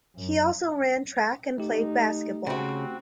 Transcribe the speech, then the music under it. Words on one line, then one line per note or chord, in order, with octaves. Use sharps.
He also ran track and played basketball.
F#2
A3 D#4 G4
C#3 C4 F#4